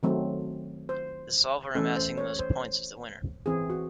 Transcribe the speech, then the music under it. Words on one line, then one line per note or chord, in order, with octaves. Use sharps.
The solver amassing the most points is the winner.
D#3 F#3 A3 C4
C5
E3 A3 C#4 A4
C5
C#5
C5
E3 C4 G#4
F#4